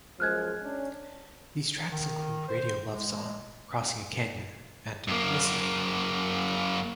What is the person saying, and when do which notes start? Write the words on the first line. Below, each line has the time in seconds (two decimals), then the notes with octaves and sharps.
These tracks include "Radio Luv Song", "Crossing a Canyon", and "Miss You".
0.20 F#2 F3 G#3 F6 F#6 G#6
0.62 C#4 D4
1.91 D#3
2.48 C5
2.92 G#3
5.08 F#2 A#3